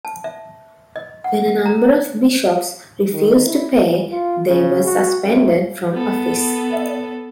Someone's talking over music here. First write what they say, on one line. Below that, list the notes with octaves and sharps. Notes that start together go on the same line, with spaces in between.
When a number of bishops refused to pay, they were suspended from office.
A5
E5
D#5
F#5
A#5
D#3
E4
E3
F4
C#3
F#4
F#2
B3 A4